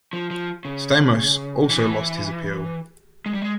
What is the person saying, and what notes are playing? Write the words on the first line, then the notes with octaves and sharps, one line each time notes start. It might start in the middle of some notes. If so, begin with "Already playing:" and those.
Stamos also lost his appeal.
F3
F3
C#3
E3
G#3
G3
G#3